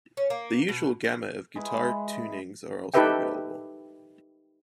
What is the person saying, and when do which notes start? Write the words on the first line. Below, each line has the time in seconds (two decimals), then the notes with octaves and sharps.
The usual gamut of guitar tunings are also available.
0.17 C#4
0.30 A#3
0.69 B2
1.04 C4
1.56 G#3 E4 B4
2.94 D#4 G4 A4 B4 E5 G5